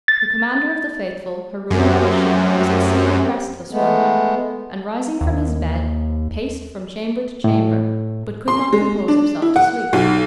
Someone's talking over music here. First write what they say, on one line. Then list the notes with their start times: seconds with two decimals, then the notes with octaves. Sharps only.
The Commander of the Faithful Harun Al-Rashid was exceeding restless one night and rising from his bed, paced from chamber to chamber, but could not compose himself to sleep.
0.08 A6
1.70 F#2 A3 C4 G4
3.71 G#3 A3 B3
5.21 D#2
7.44 A2
8.48 C6
8.73 G#3
9.08 D4
9.42 E4
9.56 F#5
9.93 B1